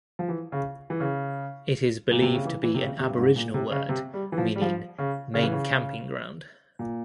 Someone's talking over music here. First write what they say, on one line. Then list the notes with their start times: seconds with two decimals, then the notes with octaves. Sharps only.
It is believed to be an Aboriginal word meaning "main camping ground".
0.19 F3
0.29 E3
0.52 C#3
0.90 E3
1.00 C#3
2.11 A#2
2.22 C3
2.34 C#3
2.45 E3
2.63 E3
2.74 C3
2.82 C#3
3.00 C3
3.09 G2
3.17 G#2
3.36 A#2
3.54 C3
3.71 C#3
3.89 C3
4.14 G3
4.32 E3
4.38 F3
4.56 G3
4.62 F3
4.98 C#3
5.34 C#3
5.43 E3
5.52 C#3
6.79 A#2